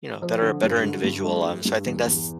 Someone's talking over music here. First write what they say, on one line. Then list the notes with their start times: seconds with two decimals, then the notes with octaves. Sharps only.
you know, better better individual, um, so I think that's
0.22 F3
0.42 D3
0.63 G2
0.84 D3
1.04 G2
1.24 A3
1.46 A3
1.65 G2
1.87 E2
2.06 E2